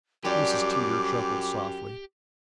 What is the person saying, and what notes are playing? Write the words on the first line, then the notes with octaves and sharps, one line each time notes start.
Mrs. Teeter chuckled softly.
F#2 F3 G3 G4 D5 D6